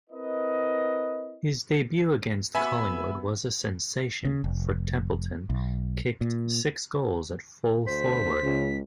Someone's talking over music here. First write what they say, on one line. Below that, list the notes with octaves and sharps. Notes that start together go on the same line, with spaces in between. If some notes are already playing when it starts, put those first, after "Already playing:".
His debut against Collingwood was a sensation, for Templeton kicked six goals at full-forward.
C4 E4 A#4 B4 D#5
B3 F#4 E5 G#5 B5 E6 B6
C#3
F1
B1
A#2
D2 C5 B6
C#2 C#3